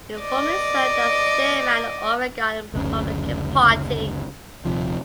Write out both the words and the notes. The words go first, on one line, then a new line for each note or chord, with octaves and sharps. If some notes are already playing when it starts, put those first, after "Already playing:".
He formerly served as Chairman of the Oregon Republican Party.
D5 D#5
F#1 D2 C#3
D#1 C3 F3